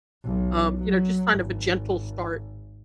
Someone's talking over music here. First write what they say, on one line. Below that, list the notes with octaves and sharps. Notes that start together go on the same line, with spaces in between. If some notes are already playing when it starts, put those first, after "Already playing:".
um, you know, just kind of a gentle start,
B1
F#3
G#1